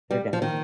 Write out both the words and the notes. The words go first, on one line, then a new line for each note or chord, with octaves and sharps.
They're done,
G3
F3
D#3